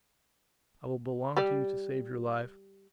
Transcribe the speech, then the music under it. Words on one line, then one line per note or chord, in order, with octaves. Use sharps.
I will belong to you to save your life.
G3 G4 D5